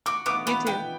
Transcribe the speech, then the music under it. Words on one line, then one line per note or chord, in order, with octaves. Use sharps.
You too.
F#4 D6
B3 D6
B3 B5
B3 G5